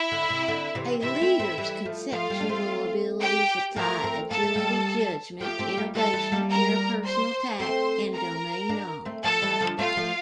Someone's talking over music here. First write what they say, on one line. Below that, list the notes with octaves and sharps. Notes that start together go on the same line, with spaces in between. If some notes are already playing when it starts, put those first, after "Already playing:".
A leader's conceptual abilities apply agility, judgment, innovation, interpersonal tact, and domain knowledge.
Already playing: E4 E5
D3
C3
D3
C3 E3
C3 E3 E4 E5
A3 C4
A3 C4
E3 G3
F3 A3
F3 A3 F4 F5
G3 A#3
D4
A3 C4
G4 G5
F3 A3 A#4 A#5
A3 C4
A#3 A4 A5
A3
G3 A#3
F3 A3 G4 G5
A3 C4
G3 A#3
E3 G3 A4 A5
E3 G3
G3 A#3
A#4 A#5
C5 C6
A3 C4 C5 C6
A#4 A#5
A#3 D4
A3 C4
F3 A3 A4 A5
E3 G3
D3 F3
A3 C4 F4 F5
F3 A3